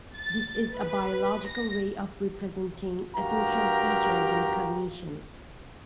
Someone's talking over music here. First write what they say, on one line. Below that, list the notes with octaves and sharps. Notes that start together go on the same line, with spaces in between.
This is a biological way of representing essential features in cognitions.
A6
B4
A#6
G2 F#4 G4 A#4 F5 A#5